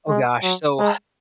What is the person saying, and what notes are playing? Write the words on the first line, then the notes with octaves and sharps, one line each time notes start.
Oh gosh, so,
G#3
F#3
G#3